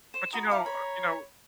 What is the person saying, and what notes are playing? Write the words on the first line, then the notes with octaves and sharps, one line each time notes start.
But, you know, uh, you know
C5 E7
F#4 A#5 B5 D#6
E4 F5 D6
C#5 B5